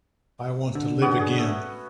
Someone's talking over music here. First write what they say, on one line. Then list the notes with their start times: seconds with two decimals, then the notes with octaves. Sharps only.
I want to live again.
0.75 D3
1.01 B3 C#4 F#4
1.19 G#4
1.38 A3